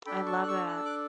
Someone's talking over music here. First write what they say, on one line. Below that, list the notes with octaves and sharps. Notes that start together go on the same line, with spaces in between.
I love that.
D4 A4 G5 B5
A5 C#6
F#6
C#6 E6
F#6
E6
D6 F#6